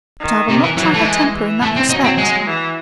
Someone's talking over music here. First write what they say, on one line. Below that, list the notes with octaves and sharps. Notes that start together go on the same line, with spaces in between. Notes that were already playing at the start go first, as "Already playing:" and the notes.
But I will not try her temper in that respect.
D#3
C3
E3
E3 F#3
A3
G#3
E3
A3
C4
F#3 D#4
C4
G#3
E3